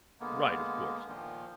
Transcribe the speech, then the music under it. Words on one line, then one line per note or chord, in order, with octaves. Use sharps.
Right, of course.
D3 G#3 A#3 B3
A#2 D#3 F3